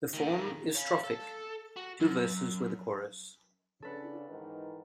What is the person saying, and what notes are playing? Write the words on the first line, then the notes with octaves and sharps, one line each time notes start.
The form is strophic, two verses with a chorus.
A#2 D#3
C#5 F5
A4
F#4
F#2
C#3 D4 A4 B4 F#5
G#2 D#3 E3